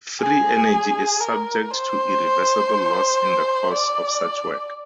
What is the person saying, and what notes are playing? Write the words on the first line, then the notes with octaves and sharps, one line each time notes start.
Free energy is subject to irreversible loss in the course of such work.
G#4
A#4
C5
D5